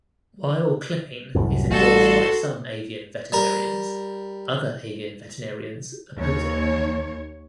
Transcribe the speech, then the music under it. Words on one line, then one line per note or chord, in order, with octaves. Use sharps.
While clipping is endorsed by some avian veterinarians, other avian veterinarians oppose it.
C2 F#2 A2
A1 G3 F#4 A4 C6
G3 A#4
D#2 C#5